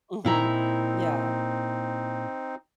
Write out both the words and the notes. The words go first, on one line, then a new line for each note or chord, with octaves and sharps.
Mhm. Yeah.
A#2 C4 D#4 E4 A#5